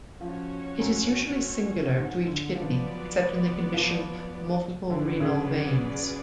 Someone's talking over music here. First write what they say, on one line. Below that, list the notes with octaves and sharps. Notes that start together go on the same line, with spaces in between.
It is usually singular to each kidney, except in the condition "multiple renal veins".
F3 C#4 F#4 C#5
F#2
G#2
D3
F3 F#3 B3 F4 B4 D5
F3
D3 F#3 C#4 G#4 B4 D5
C#3